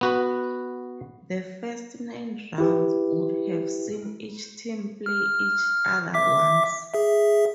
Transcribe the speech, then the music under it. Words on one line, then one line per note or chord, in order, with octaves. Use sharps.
The first nine rounds would have seen each team play each other once.
B3 F#4 B4
E4 G4 B4
F6
E5 D6 B6
G#4 E5